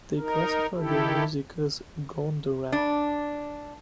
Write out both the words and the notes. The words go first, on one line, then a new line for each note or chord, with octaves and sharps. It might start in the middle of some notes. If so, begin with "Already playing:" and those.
They classify their music as "Goonda Rap".
D#4 A#4
D#3 E4 G4 A4
D4